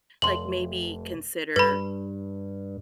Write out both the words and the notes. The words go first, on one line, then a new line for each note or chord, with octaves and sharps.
like maybe consider,
F1 C6 F#7
G2 B4 B5